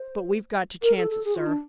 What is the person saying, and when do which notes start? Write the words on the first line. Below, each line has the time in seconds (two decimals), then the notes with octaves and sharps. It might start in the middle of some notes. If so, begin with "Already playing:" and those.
But we've got to chance it, sir.
Already playing: C5
0.82 A#4
0.97 A4
1.10 A4
1.25 G#4
1.36 F4
1.46 D4